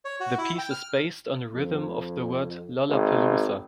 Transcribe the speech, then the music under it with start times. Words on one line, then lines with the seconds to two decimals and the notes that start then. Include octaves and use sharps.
The piece is based on the rhythm of the word 'Lollapalooza'.
0.05 C#5
0.20 F#4
0.38 E4
0.59 G5
0.71 F6
1.54 F2
2.89 G#1